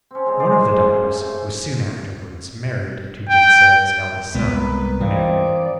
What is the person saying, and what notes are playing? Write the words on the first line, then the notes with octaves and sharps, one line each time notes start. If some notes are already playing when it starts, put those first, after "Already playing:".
One of the daughters was soon afterwards married to Genseric's eldest son, Hunneric.
C4 C#4
G#3 D#4 G#4 A4
G#4 C5 D5
A#4 C5 F5
C#4
C3 A3
G5
C2 G#3 B3 A#4 B4
E3 C4 D5 D#5 F5